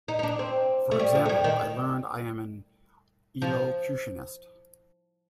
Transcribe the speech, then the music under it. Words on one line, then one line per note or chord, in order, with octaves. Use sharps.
For example, I learned I am an elocutionist.
D#4
D#4
D4
C4
A3
G3
F3
A3
G3
D#3
F3